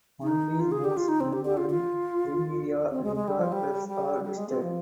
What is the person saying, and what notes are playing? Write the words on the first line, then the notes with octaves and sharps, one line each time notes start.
Only moves involving Primeira Liga clubs are listed.
D#4
F4
G#4
G4
F4
D#4
C4
G4
G4
F4
F4
C4
G#3
G#3
G3
F3
G3
G3
G3
G#3
C4
F3